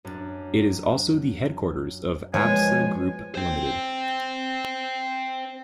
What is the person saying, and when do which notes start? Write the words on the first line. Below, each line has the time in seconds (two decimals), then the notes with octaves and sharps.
It is also the headquarters of Absa Group Limited.
0.05 F#2 D4
2.34 F3 G#3 B3 C#5 G#5
3.35 C5 G5